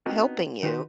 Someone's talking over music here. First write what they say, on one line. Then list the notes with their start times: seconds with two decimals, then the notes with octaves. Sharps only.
helping you.
0.06 B3 C4 D4 D#4 F#4 A#4
0.63 D#3 D#4 F#4 B4 C5